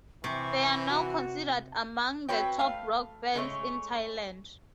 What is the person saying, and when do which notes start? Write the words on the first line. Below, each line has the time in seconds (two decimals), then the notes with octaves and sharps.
They are now considered among the top rock bands in Thailand.
0.24 C3 E3 C#6
0.89 F#4
2.28 C4 F#4 B4 C#5 G5
2.59 A3 F5
3.34 C#3 G#3 A3 C#5